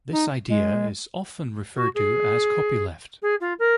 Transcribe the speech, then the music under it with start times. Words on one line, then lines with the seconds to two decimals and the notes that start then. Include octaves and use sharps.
This idea is often referred to as copyleft.
0.11 D#4
0.48 G#3
1.76 F#4
1.95 G#4
3.22 G#4
3.40 F4
3.59 A#4